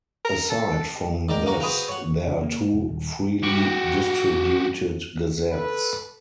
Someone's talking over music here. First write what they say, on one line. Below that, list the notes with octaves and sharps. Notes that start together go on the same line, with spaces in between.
Aside from this there are two freely distributed gazettes.
A#4
A4
G#2 D4 A#4 G5
A#3 F#4 A#4
F#4 G#4 B4 C5 F5 G5
C#5 F#5
C#3
A#3
F1
D#1
F#4 G4
A4 B4